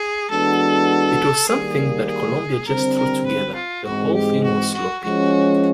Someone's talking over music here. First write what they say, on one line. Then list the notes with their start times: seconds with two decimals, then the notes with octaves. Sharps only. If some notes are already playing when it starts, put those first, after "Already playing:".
It was something that Columbia just threw together...The whole thing was sloppy.
Already playing: G#4
0.30 E3 G#3 B3 D4 F#4 A4
1.48 D#3 G3 A#3 G#4
2.08 G#4
2.67 D3 G3 C4 A#4
2.97 A#4
3.26 B4
3.55 F4
3.85 G#2 E3 G#3 C4 F#4
4.14 G4
4.44 F#4
4.74 F#4
5.03 F3 G#3 C#4 F#4